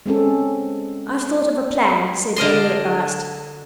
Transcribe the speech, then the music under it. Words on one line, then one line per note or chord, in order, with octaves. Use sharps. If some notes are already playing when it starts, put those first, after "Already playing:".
"I've thought of a plan," said Emmy at last.
G#3 C4 C#4 A4
D3 A#4 D#5 C6